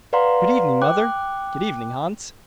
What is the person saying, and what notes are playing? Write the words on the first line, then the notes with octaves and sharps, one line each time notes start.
'Good evening, mother.' 'Good evening, Hans.
B4 D5 F5 F#5 A#5 C6
G5 D6 F#6